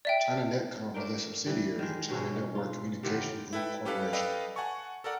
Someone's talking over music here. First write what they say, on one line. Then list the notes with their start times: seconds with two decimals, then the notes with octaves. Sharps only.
China Netcom was a subsidiary of China Network Communications Group Corporation.
0.05 D5 E5 G5
0.94 A3 D4 A#4 G5
1.46 E3 G3
1.79 D#3 G#3
2.08 G2 B2 G#3 C#4
2.55 F4
3.03 C3 D#3 E3 B3
3.53 E4 A4 B4 G5
3.85 C#4 G4 A4 B4 F5
4.13 A4 B4 D5 D#5 F5 G5
4.56 F#5 G#5 A5 C#6
5.04 A4 A#4 D5 F#5